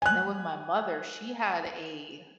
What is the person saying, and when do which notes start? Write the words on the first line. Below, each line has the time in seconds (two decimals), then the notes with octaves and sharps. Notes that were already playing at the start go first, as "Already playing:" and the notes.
and then with my mother, she had a
0.02 G#5 F#6